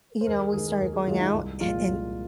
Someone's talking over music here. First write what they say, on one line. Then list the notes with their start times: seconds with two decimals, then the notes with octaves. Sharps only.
you know, we started going out a and
0.21 C5
0.27 D#2 A#4
0.40 G#4
0.53 D#3 G#3 G#4
0.67 A#4
0.80 D#2 A#4
0.94 G#4
1.07 D#3 G#3 F4
1.21 D#4
1.34 C2
1.61 A#2 F3 G#3 F4
1.88 C2